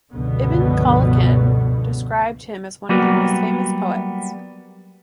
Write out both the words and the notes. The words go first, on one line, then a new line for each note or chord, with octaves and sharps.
Ibn Khallikan described him as one of the most famous poets.
G1 C#2 B2 D3 F3 B3
F#3 G3 A#3 B3 F#4